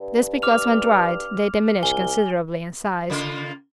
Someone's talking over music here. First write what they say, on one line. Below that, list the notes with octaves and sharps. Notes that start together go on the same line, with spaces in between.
This because when dried they diminish considerably in size.
G2
D6 F6 F7
C2 G#5 G7
C#3 A#3 F4